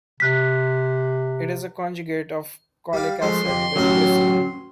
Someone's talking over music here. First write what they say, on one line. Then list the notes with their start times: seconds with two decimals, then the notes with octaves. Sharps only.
It is a conjugate of cholic acid with glycine.
0.20 C3 F#6 B6
2.93 G3 F5
3.22 F3 G#3 A3 C6
3.46 F2 C3
3.76 A1 A2 F#3 C#4 A#4